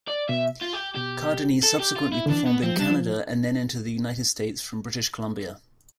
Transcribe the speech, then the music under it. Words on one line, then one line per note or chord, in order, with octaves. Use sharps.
Cardini subsequently performed in Canada and then entered the United States from British Columbia.
D5
B2 E5
F4
G4
B2 G4
A4
G4
F4
E4
D3
E3 D4
B3
F3 C4
G3 D4
F3